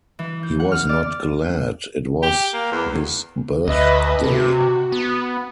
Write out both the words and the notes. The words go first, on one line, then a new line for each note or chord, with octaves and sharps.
He was not glad it was his birthday.
E3
G6
F#5
F6
D5
G4
A#3
E2
D2 B4 D#5 E5
C3 F#4
B3